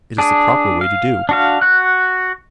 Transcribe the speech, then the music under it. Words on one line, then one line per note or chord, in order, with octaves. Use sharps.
It is the proper way to do.
D4 G#4
F5
D4 F#4 F5
F#4 F#6